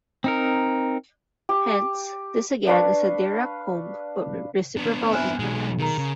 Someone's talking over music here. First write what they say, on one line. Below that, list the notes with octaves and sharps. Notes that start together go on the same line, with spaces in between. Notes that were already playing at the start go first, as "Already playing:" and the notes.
Hence, this again is a Dirac comb but with reciprocal increments.
C4 D#4 A#4
G4
D4 B4 F5 C#6
B3 D4
C4 E4 G#5 F6 F#6
B1 F#3 G#3
D#3 G#4 A#4 A#5
C#3